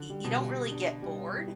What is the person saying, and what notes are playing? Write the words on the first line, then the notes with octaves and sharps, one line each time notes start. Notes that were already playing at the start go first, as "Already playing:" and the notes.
Y You don't really get bored
Already playing: D3
G3
B2
G4
D4
G3
G3